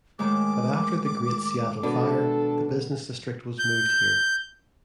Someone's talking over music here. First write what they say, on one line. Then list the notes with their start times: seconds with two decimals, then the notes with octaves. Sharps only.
But after the Great Seattle Fire, the business district was moved here.
0.19 A2 D#3 G#3 D6
1.83 B2 D4 A4
3.59 G6